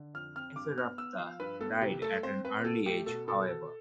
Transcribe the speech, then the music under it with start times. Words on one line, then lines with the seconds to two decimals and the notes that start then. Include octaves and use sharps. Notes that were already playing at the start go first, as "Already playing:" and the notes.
Neferuptah died at an early age, however.
Already playing: D3
0.14 F2 F6
0.36 C4 F6
0.56 G2 D6
0.77 B3 F6
0.98 B3 E6
1.18 F3 F5
1.40 G2 B4
1.60 B3 A4
1.81 C2 G4
2.02 A3 A4
2.23 C4 C5
2.44 C4 B4
2.64 B2 A4
2.86 A3 G4
3.06 B2 A4
3.28 B2 A4
3.49 B2 A4